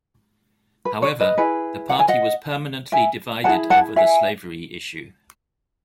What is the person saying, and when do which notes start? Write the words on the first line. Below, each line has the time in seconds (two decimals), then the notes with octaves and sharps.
However, the party was permanently divided over the slavery issue.
0.85 B4
1.02 C#5
1.20 B4 D#5
1.38 E4 G#4 B4
1.90 F#5
1.99 G#5
2.08 D#5 F#5
2.92 E5 G#5
3.44 E4 G#4 B4 F#5 A5
3.70 F#5 A5
3.96 E5 G#5